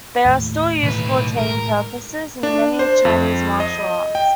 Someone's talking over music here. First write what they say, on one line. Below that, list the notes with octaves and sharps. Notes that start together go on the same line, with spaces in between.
They are still used for training purposes in many Chinese martial arts.
D#2 A2
B1 A2 D#3 E3 B4
A2 G#3 A#4
D4
C5
F2
D#5
G5